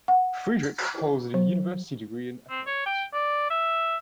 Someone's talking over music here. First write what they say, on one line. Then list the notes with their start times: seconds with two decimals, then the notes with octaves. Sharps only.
Friedrich holds a University degree in Economics.
0.08 F#5
1.34 F#3
2.50 C4
2.67 C#5
2.86 G5
3.13 D5
3.50 E5